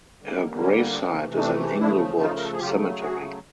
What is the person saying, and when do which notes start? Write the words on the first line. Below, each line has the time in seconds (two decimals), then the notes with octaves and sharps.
Her gravesite is in Inglewood Cemetery.
0.20 D3 G3 A#3
0.60 C#4
0.99 C3 E3 A3 C4 D4
1.35 D#4
1.39 C4 D4
1.79 C#3 F3 A3 D4 E4
2.20 D#4 F4
2.36 A#4
2.44 A4
2.52 G#4
2.59 C#3 F#3 A3 F4 G4
2.99 F#4 G#4